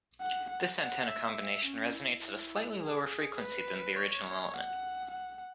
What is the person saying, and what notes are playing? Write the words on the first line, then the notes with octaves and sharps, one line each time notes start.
This antenna combination resonates at a slightly lower frequency than the original element.
F#5
F#5
F#5
E5
C#4
E4
E4
G#4
B4
C#5
F#5
F#5